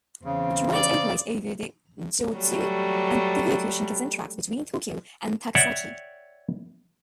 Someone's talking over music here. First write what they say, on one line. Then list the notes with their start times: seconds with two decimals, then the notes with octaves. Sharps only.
Trains operate over the Joetsu and Tohoku Shinkansen tracks between Tokyo and Takasaki.
0.25 E2 C#3 C4
0.73 D5
2.36 F#3 G3 A3
5.55 C#5 D5 E5 F#5 G5